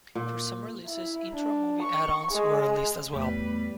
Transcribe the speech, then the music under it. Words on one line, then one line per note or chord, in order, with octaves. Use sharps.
For some releases, intro movie add-ons were released as well.
A#2
E4
D4
C#6
G#3
E2 A2 G3 A3 B3 B4